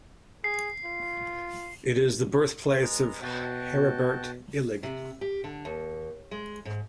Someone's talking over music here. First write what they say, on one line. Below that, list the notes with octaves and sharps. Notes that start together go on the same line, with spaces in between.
It is the birthplace of Heribert Illig.
G#4 C7
F4
G#3 B3 A#5
B2 F#4 G5 A5
C3
G4
D3
D#2
G#3
G#2